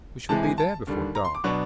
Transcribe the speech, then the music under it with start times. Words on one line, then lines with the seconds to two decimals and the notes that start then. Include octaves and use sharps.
'We shall be there before dark.'
0.29 C3 E3 G#3 A5
0.43 G#5
0.58 A5
0.87 D#2 D3 G3
1.15 A#5
1.24 C6
1.35 D6
1.44 B2 F#3 B3 D4 C#6